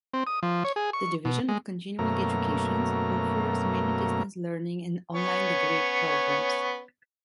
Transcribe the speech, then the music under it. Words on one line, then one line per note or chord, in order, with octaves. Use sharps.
The Division of Continuing Education offers many distance learning and online degree programs.
C4
D#6
F3
C#5
G#4
C#6
B2
G#3
F#2 B2 A3 A#3 A#5
B3 C#4 C#5